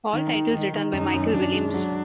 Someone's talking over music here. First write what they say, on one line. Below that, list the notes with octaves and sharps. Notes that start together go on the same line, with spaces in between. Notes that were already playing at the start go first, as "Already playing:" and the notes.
All titles written by Michael Williams.
D#3 D#4
D#3
D#3
D#3
F#2 D#4
F#2
F#2 D4
G#3
F#3 D4